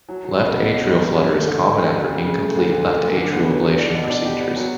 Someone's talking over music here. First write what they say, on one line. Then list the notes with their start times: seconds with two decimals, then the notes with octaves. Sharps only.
Left atrial flutter is common after incomplete left atrial ablation procedures.
0.09 F#3
0.24 F#3
0.39 C#2
0.55 B2
0.70 C#4
0.86 G2
1.01 G2
1.17 C#4
1.32 A3
1.48 D3
1.63 D3
1.78 D2
1.94 F#3
2.09 C#3
2.25 C#3
2.40 A3
2.55 D2
2.71 D2
2.86 D3
3.01 D2
3.17 D3
3.33 B3
3.48 F#3
3.63 F#3
3.79 D4
3.94 B2
4.10 D4
4.25 G4
4.41 B3
4.56 F#3